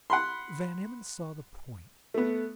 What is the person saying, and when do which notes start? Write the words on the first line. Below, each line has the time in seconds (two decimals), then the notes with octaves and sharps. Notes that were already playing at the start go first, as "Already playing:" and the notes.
Van Emmon saw the point.
0.10 F#5 B5 C6
2.14 A3 B3